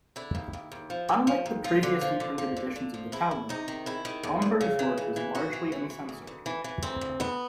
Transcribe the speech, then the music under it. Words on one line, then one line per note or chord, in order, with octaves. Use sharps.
Unlike the previously printed editions of the Talmud, Bomberg's work was largely uncensored.
D3 E4
D#2
D#2
D#2
F3
D#2
F3
D#2
F3 F4
D3
F3
D3
F3
D3
D3
F3
E2 E4
E2
C3 D#4
D#3
E2 E4
D#3
E2
E2
C#3
E3
C#3
E3
D#2 F#4
E3
E3
E3
D2
D2
E3
E3
D2 C4
D2
D2 B3